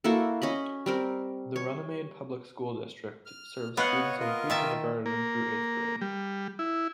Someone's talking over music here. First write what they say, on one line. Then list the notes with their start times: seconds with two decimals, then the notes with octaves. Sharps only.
The Runnemede Public School District serves students in pre-kindergarten through eighth grade.
0.04 A#3 E4 F#4 A4
0.42 C#4 D#5 B5
0.86 G3 C4 A#4
1.56 C#5
3.26 F6
3.77 B3 C#5 D#5 F5 F#5 F#6
4.20 F4 A#4 D#5
4.50 D#3 E5 A5
5.06 A#3
6.01 G3
6.59 E4